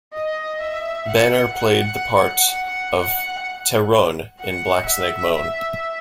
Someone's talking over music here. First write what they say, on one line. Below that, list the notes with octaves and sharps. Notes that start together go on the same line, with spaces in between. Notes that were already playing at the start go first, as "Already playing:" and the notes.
Banner played the part of Tehronne in "Black Snake Moan".
D#5
E5
F#5
F#5
F#5
F#5
F#5
E5